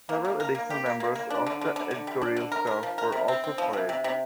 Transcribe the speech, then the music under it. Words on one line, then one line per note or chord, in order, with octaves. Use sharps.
Several additional members of the editorial staff were also fired.
A#3
A#3
A#4
A#3
G4
A#3
A#3
A#3
D4
D3
D3
D3
D3
G3
D4
D3
A#4
A#4
F3
A#4
C3
C4
C4
F3
C3
C3
C3